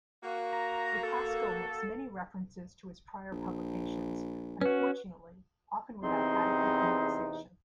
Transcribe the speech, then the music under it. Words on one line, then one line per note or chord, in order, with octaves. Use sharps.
Lupasco makes many references to his prior publications, unfortunately, often without adequate indexation.
A#3 F#4
A#5
A4
A#1
C#4 F#4 B4
E2 C3 C4 D#4 G#4 C6